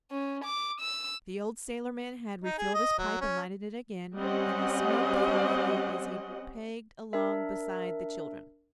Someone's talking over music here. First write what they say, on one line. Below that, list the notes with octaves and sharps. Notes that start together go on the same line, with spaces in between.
The old sailorman had refilled his pipe and lighted it again, and he smoked thoughtfully as he pegged along beside the children.
C#4
D6
E6
D#4
G#4
D#5
F#3
C#4
G3 C4 C#4 G4 D#5 F#5
D4 A#4 E5